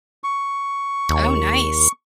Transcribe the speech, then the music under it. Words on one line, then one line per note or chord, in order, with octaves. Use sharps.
Oh, nice.
C#6
D#2